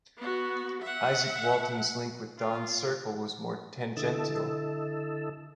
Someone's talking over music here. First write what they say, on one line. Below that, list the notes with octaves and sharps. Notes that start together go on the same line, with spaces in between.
Isaac Walton's link with Donne's circle was more tangential.
B3 F#4
E5 F#5
F4
D3 E4 A4 D#5 A5 E6